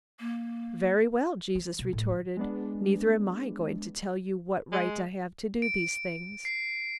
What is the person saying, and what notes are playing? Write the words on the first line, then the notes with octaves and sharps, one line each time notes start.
"Very well," Jesus retorted, "neither am I going to tell you what right I have to do these things!"
A#3
E3
B2
A2
D3
G#3 B3 D4
G#3
D7
C7